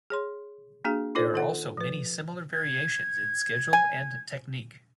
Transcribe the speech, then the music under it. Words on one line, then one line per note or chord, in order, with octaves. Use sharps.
There are also many similar variations in schedule and technique.
G#4 C#5 C6
A#3 D4 F#4 G#4 F5
D#4 F4 A4 C5 D5
D#3 A4 F#5
F3 B4
G#6
G#5